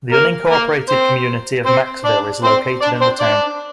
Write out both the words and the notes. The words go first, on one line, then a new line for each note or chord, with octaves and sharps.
The unincorporated community of Maxville is located in the town.
A#3 A#4
A#3 A#4
C4 C5
C4 C5
D4 D5
C4 C5
D4 D5
C4 C5
D4 D5